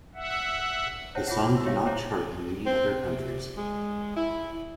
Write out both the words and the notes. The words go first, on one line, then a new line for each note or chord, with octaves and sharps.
The song did not chart in any other countries.
E5 F#5
C5 C#5 E5 F#5 G5 A5
F4 G#4 C#5 E5 F#5
D4 A4
F#4 E5 E6
G4 C#5 E5 F5
C5 C#5 E5 G5 A#5
C4
C3
G#3
E4